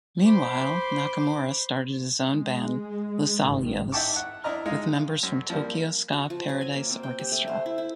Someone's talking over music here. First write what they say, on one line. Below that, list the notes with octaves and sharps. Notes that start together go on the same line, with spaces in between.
Meanwhile, Nakamura started his own band "Losalios" with members from Tokyo Ska Paradise Orchestra.
C5 B5 C6 D6
G#3
G#1 D#3
D#4 E5 G5 A5 C#6 D6
F#5
D4 E4 D5 D#5 A#5 F6
G#3 D#4 F4
F#2
F3 G3 A#3
F#4
F3
F#3
G#5
A#3
C4
G5
G4
A3
C5
E4
E4